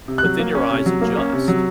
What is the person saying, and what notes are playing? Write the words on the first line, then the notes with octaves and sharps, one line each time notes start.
but then your eyes adjust.
C3
F#6
F#3
A#3
C#4
C3
F#3
A#3
C#4
C3
F#3